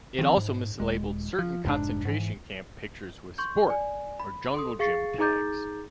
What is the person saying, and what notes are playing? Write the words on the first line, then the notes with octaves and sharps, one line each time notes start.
It also mislabeled certain concentration camp pictures with "sport" or "jungle gym" tags.
D#3 F3 C4
G#2
D#1 G#3
F3
F1 G#2 C#3 D4
G#2 E3
C6 C#6 G6
D5 G#5
B5
A4 C6 D#6
G#4 F5 C#6 A6 C7 C#7
D#4 G#4 A#5 D6 G6 A6